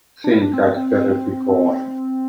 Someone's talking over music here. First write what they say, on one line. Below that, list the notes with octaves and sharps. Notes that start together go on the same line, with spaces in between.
Think I'd better be going.
D4
E4
D4
C4
C4
C4